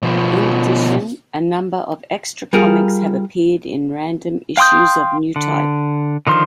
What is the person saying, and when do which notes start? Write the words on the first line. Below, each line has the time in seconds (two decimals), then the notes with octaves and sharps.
In addition, a number of extra comics have appeared in random issues of "Newtype".
0.03 B2 F3
2.53 G3 F4 G#4 A#4
4.57 F5 G5 C6 D#6 G6
5.36 D3
6.27 D3 D#3 F3 C6